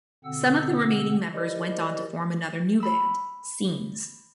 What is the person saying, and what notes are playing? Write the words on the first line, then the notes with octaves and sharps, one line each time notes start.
Some of the remaining members went on to form another new band, Scenes.
B2 D3 C4 F#5 E6
E4 G4 A#4 C5 D5 D#5
B5 E6